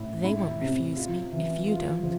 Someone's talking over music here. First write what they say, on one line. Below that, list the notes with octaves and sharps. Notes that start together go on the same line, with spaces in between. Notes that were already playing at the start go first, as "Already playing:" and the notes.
'They won't refuse me, if you don't.'
Already playing: A2 E4
E4
C3
F4
E3
F4
F3